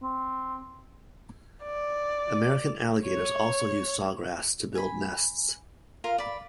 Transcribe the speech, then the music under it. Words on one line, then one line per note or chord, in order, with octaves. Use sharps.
American Alligators also use sawgrass to build nests.
C4
D5
C#5
G#5 B5
F4 A#4 F5
D5 B5